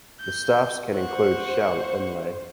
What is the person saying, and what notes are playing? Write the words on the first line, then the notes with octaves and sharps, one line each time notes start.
The staffs can include shell inlay.
G6
C5 F#5 C#6